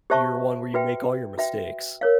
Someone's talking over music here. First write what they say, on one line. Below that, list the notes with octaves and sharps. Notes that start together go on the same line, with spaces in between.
your one where you make all your mistakes.
G4 C5 E5 A5 C#6
F#4 B4 E5 G5
F#4 B4 E5 G5
A#4 C#5 F5